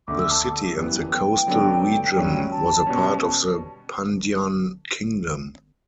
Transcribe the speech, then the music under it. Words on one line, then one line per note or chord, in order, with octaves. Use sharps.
The city and the coastal region was a part of the Pandyan Kingdom.
D2 D3 A3 D6
E6
A5
F#2 E3 G3 B3
G5
D3 F#3 B3 D4 A4
G2 F#3 C#4
A5
B2 G3 C#4